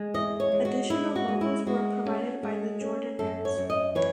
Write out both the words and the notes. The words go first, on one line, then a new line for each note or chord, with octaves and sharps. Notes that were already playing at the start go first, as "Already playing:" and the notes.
Additional vocals were provided by The Jordanaires.
Already playing: G#3
E2 D#5
C#5
G#3
F#4
G#3 E4
F#4
G#3
E4
G#3 F#4
C#4
G#3
C#4
F#2 A4
C#5
F#2
D#5
E3 C#5